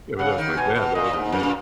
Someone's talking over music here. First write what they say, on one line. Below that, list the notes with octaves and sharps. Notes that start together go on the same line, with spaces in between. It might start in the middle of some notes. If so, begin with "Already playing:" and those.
Yeah, but that was my dad, that wasn't me.
C#3 F#5
D#3
B2 G#5
B2
A#2 D#5
G#2
F#2
A#2